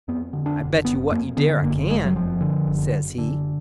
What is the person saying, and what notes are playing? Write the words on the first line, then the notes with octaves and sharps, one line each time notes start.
"I bet you what you dare I can," says he.
F2 B3
D3
D4
F#1
F#1 B3
F2 A#3
D3 B3
F#1 A#3
F#1 G#3
F#3
F2 F3
D3
F#1
F#1
D3